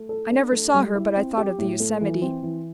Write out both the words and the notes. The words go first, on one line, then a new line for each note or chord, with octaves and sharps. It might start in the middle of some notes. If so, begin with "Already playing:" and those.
I never saw her but I thought of the Yosemite.
Already playing: A3
A4
D4
A3
G3
E4
C4
G4
A2
A3
E3
C4
E3